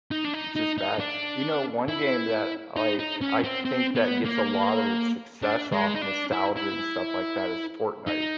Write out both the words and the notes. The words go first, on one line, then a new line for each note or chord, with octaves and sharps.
It's it's, just, bad. You know, one game that, Iike I think that gets a lot of its success off nostalgia and stuff like that is Fortnite,
D#4
D4
D#4
D#4
D#4
D4
E4
D#4
D#4
C#4
C4
C4
B3
A#3
D4
G#3
D#4
D4
E4
E4
D#4